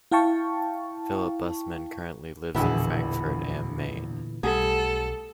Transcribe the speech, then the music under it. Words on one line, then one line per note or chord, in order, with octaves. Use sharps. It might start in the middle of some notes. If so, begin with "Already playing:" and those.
Philip Bussmann currently lives in Frankfurt am Main.
E4 F5 G5 A5 C#6
E1 A#1 A#2 D3 E3 B3 E4 G#4
B1 G3 A3 G#4 A4 F#5